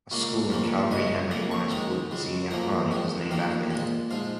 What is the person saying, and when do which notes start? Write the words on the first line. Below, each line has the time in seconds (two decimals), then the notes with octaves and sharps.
A school in Calgary, Henry Wise Wood Senior High, was named after him.
0.11 C#2 C#3 A#3
0.51 F2 C#3 A#3 F4
0.91 C#2 C#3 G#3 D#5
1.31 C#2 C#3 A#3 A#5
1.51 C#6
1.71 G#2 D#3 G#3 A#5
2.11 C#2 C#3 G#3
2.51 F2 F3 A#3 A#5
2.91 G#2 D#3 G#3
3.31 F2 D#3 A#3 F5
3.71 A#2 G#3
4.11 G#2 F3 G#3 F5